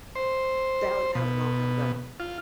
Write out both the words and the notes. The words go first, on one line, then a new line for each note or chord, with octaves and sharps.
That wa that was a long time ago.
C5
B2
F4